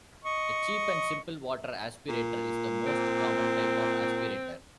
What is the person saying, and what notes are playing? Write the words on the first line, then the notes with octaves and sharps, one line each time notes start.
The cheap and simple water aspirator is the most common type of aspirator.
D#5 C#6
A#2
C4